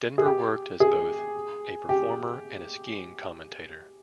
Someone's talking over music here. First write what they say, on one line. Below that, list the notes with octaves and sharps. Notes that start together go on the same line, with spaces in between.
Denver worked as both a performer and a skiing commentator.
G#4
G4
G#4
G4